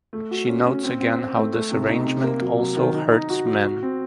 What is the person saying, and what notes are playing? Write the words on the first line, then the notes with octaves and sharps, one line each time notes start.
She notes again how this arrangement also hurts men.
A3
F#4
C#4
C#4
C4
C4
C4
A3
A3
C3
D#4
C3
A#3
F#3
F#3
D#3
D#4
D#4
F#4
F#4
F#4
C4